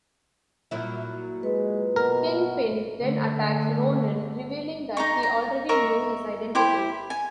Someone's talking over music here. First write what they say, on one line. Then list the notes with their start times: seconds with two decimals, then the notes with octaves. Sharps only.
Kingpin then attacks Ronin, revealing that he already knew his identity.
0.71 A#2 F#3 E4
1.43 G#3 B4
1.96 B2 A#4
3.00 D3 A3
4.97 D#4 A#5 C#6
5.23 A#5
5.69 A#4 D#5 E5 C#6
6.55 E4 G4 C5
7.10 G#5